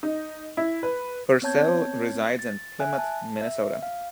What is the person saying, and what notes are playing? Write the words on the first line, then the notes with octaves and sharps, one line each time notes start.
Purcell resides in Plymouth, Minnesota.
D#4
E4
B4
B3 C4 C#5 A5 G6 G#6
A6
E5 G#5 F#6
A5
E5
F5